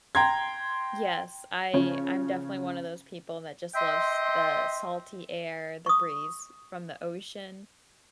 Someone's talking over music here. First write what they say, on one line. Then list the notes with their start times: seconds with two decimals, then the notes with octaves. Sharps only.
Yes, I I'm definitely one of those people that just loves the salty air, the breeze from the ocean.
0.15 G5 A#5 C6 G#6
1.73 C#3 F3 C#5
3.75 D#5 E5 G5 C6
5.86 C#6 D#6